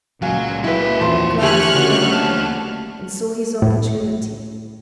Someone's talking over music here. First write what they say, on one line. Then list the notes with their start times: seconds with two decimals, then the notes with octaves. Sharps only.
Hadden glanced around him, and saw his opportunity.
0.22 C#2 A#2 F#3 F#4 F5 G#5
0.64 E4 F#4 B4 G5
1.01 E2 F3 C5
1.42 D3 A3 G4 G#5 C#6 F6 F#6
1.75 C#2 D3 C#4 D4 F#4
2.11 A#3 G4 A5 F6
3.62 A2